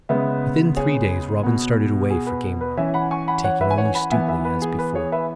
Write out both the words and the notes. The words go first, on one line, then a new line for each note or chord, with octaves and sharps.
Within three days Robin started away for Gamewell, taking only Stuteley, as before.
C#3 G#3 B3 B4 E5
G#4 C#5
B2 B3
G#4
B4
B4
E3 C#4 E5 G#5
F#5 B5
G#5 C#6
F#5 B5
C#5 F#5
B4 E5
G#5
C#5 F#5
F#5 B5
E3 B3 E5 G#5
B4 E5
B4
G#4
B4
G#4 C#5
B4 E5